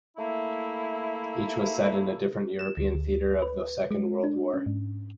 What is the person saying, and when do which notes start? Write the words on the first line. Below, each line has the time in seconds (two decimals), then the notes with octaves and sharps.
Each was set in a different European theatre of the Second World War.
0.17 A3 A#3 E4
2.59 E7
2.77 D2
2.95 D2
3.42 B4
3.91 G#3
4.24 D4
4.54 C#4
4.66 G#2